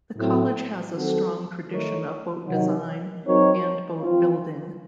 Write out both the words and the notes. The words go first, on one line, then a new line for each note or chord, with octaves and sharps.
The College has a strong tradition of boat design and boat building.
A2 F#3 A3 C4
D#3 F#3 C4 F#4 A4
D#3 A3 D#4 A#4 C#5
C3 D#3 F#3
F#3 C4 D#4 A#4 C#5
F3 C4 F4